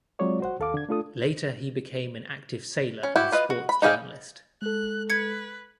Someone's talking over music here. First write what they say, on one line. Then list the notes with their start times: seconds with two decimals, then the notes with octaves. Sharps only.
Later he became an active sailor and sports journalist.
0.19 F#3 G#3 C4 F4 C#5 D5
0.40 F#4 C5 F#5
0.60 D#2 A4 F5 D6
0.74 D3 G#6
0.89 A3 D4 F4 A4 D#6
3.03 C#4
3.16 E4 F#4 G4
3.32 F4 B4 D#5
3.50 F#4
3.69 B5
3.82 D#4 G4 G#4 F5 G5
4.62 G#3 A4 F#6
5.10 B4 G#6 C#7